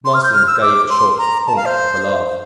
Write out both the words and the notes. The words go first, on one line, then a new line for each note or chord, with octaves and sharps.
Marsden gave a short honk of a laugh.
C6
F6
G6
F6
E6
D6
C6
A#5
A5
F5
C5